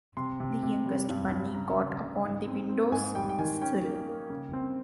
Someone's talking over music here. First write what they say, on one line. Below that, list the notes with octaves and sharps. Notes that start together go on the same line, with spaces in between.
The youngest bunny got upon the window-sill.
C3 C6
C3
C3
G3
G2
G2
C#3 A#5
C#3
C#3
G#2
C4
C4
G#2 G#5
G3 G5
G5
D#3 G#5
C#4 G5
A#3
A#3
C#3
C4